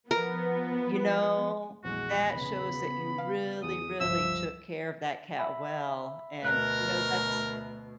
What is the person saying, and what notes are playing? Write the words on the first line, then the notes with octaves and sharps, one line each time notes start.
you know, that shows that you really, really took care of that cat well, and, you know, that's
F3 B3 A#4
A#1 E2 G#3 F#4
C#3 B3 B5
F5
E2 D#6
G1 C#2 F3 E5 E6
E5 B5
D2 B2 A#4 F#6